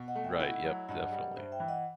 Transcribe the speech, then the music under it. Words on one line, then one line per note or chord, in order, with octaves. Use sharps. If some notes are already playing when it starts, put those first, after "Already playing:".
Right, yep, definitely.
Already playing: B2
D#5 F#5
A3
E5 G5
E4 D#5 F#5
F#3
G2 D#5 F#5
G3
G2 C5 E5
E5 G5
E3
D#5 F#5